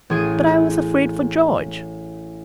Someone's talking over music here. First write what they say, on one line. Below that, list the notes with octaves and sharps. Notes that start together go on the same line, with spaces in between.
But I was afraid for George.
A1 G#4 D#7